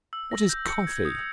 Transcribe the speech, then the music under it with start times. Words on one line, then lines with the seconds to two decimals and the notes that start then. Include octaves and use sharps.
What is Coffee?
0.13 E6
0.31 A#6
0.49 G6
0.68 C#7
0.87 G#6
1.05 D#6